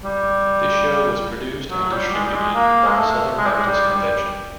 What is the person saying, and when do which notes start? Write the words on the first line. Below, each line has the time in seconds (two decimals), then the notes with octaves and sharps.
This show was produced and distributed by the Southern Baptist Convention.
0.05 G3
1.71 F#3
1.85 F#3
1.92 G3
2.13 G#3
2.25 G3
2.34 G#3
2.55 A#3
2.86 G#3
2.96 A3
3.38 G#3
3.46 G3
3.53 G#3
3.66 G3
3.94 G3